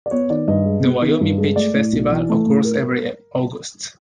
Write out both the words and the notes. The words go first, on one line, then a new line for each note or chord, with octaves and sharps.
The "Wyoming Peach Festival" occurs every August.
D5
B3 C#5
D#3 D5
G2 D#5
G#3
B3
D#3
G2
G#3
A3 D5
A2
B1
E3
A3
A2
A#4